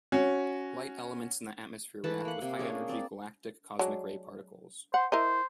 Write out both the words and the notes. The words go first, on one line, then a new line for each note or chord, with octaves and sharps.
Light elements in the atmosphere react with high energy galactic cosmic ray particles.
C#4 F#4
E3 A3 B4 A5
A#3 F#5
C3 A#3
A#3 C#4 D4 G#4
C4 D5
F#3 G#3 D4
C5 F#5
E4 A#4 C5 D#5